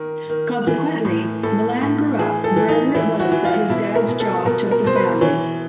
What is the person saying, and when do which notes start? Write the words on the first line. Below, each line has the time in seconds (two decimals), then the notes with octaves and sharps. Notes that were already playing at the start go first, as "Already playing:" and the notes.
Consequently, Milan grew up wherever it was that his dad's job took the family.
Already playing: D#3 A#4
0.30 D#3
0.67 E3
1.05 A2
1.43 A2 A4
1.81 A2
2.19 E3 G#4
2.44 A4
2.56 E3
2.69 D#4
2.95 E3 E4
3.20 F#4
3.32 E3
3.45 F4
3.69 B2 E4
3.96 A#4
4.08 B2
4.20 A4
4.45 B2 A#4
4.71 A#4
4.84 B2 C5
4.96 B4
5.21 E3 C#5